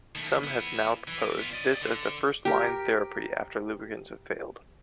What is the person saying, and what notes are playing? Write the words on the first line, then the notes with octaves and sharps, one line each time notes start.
Some have now proposed this as the first line therapy after lubricants have failed.
D#3 A3
B3 E4
E3
B3 F4
D5 D#5
D3
G4 A#4